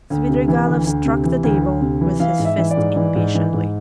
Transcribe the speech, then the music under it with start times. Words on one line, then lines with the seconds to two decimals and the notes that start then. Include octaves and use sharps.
Svidrigailov struck the table with his fist impatiently.
0.10 D2
0.29 C3
0.48 E3
0.67 D2
0.86 D2
1.05 C3
1.24 E3
1.44 D2
1.63 D2
1.81 C3
2.01 E3
2.20 E3 F5
2.39 G#2
2.45 E5
2.58 E3
2.71 D5
2.77 G#2
2.96 E3
3.15 G#2
3.35 E3
3.53 G#2